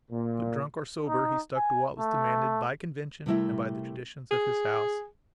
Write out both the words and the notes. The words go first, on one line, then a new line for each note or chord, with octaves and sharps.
But, drunk or sober, he stuck to what was demanded by convention and by the traditions of his house.
A#2
D#4
G#5
A3
C3 G3 A3 E4 A#4 E5
G#4